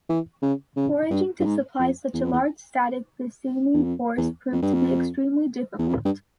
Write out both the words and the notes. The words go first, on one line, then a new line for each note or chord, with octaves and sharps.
Foraging to supply such a large static besieging force proved to be extremely difficult.
E3
C#3
C#3
G2
G2
G#2
F2
E2
F2
E2
E2
F2
E2
F2
G2
F2
E2
F2
G2